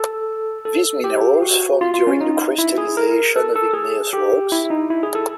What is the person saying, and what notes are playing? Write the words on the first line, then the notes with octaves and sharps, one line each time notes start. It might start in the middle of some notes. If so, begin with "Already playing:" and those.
These minerals formed during the crystallization of igneous rocks.
Already playing: A4
A4
G4
F#4
F4
F4
C#4
D#4
E4
G#4
A#4
A4
A4
G#4
G4
E4
D#4
E4
G#4
A4